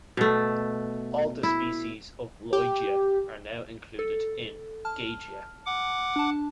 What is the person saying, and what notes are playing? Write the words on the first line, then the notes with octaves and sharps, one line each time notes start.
All the species of "Lloydia" are now included in "Gagea".
B2 A3
E4
G4
A4
A5 F6
F#5 D6
D4 A5